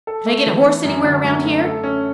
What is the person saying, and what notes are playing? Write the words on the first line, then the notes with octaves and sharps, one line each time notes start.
"Can I get a horse anywhere around here?"
A4
A3
E3
E4
F#2
D3
F#2
A3
A4
C#4